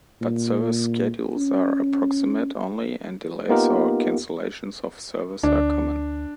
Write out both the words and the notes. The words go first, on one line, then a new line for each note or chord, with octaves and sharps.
But service schedules are approximate only and delays or cancellations of service are common.
A#2
C#4
A#3 B3 D#4 F4 G4 A#4
D2 D4